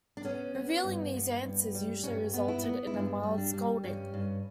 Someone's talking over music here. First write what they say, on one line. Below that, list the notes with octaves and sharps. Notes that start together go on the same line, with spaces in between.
Revealing these answers usually resulted in a mild scolding.
D4
B3 C#4
B3
G2
B3
G2
G3
G2 C#4
B3
E4
B3
E4
G2 D4
G3
D4
G3
G2 C#4
G2